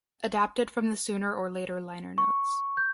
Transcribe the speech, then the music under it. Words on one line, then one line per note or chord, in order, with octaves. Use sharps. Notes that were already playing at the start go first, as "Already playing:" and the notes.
Adapted from the "Sooner or Later" liner notes.
C#6
G6